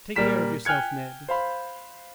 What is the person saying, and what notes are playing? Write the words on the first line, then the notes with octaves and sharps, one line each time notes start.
"Take care of yourself, Ned."
A#2 G3 A#4 B6 E7
G5 G#5 F6 F#6 G#6 C#7
C5 F5 B5